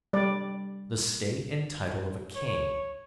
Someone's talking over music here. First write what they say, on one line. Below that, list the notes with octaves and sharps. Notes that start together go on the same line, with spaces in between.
The state and title of a king.
G3 D5
C#5